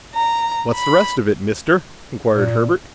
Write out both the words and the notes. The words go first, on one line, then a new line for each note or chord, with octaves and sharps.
"What's the rest of it, Mister?" inquired Herbert.
A#5
B5
A#2